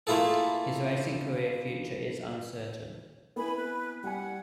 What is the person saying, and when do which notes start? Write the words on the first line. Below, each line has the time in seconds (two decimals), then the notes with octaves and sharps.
His racing career future is uncertain.
0.07 A3 A#3 E4 F4 G#4 A4
3.36 B3 C4 E4 G#5 B5
3.55 B4
4.03 G3 F#5 G#5